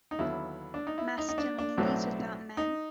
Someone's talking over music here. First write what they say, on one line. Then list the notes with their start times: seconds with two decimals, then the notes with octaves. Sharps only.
Masculinities without Men?
0.11 D#4
0.19 D#2 D3 F#3 B3 E4
0.74 D4
0.87 D#4
0.98 E4
1.18 D#4
1.29 D#4
1.38 D4
1.59 D4
1.77 B1 A2 F#3 A3 C4
2.57 D#4